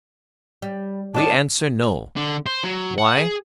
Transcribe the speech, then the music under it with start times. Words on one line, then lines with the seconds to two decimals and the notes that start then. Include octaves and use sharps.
We answer No. Why?
0.62 G3
1.14 D#3 D4 D5 A5
2.16 D3
2.46 C5
2.64 F#3
2.98 F#5
3.17 G#4